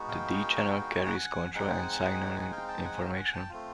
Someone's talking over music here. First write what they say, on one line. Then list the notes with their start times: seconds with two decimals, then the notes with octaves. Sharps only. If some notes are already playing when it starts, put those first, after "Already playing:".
The D-channel carries control and signaling information.
Already playing: G#3 B3 D#4 F#4
0.08 F5 G5
1.06 F#5 G#5
1.54 G#3 C4 D#4 F#5 G#5
2.41 F#5
2.52 F5 G5
2.68 G5 A5
2.85 F#5 G#5
3.01 F5 G5
3.17 F#5 G#5
3.34 G5 A5
3.50 A3 C4 F4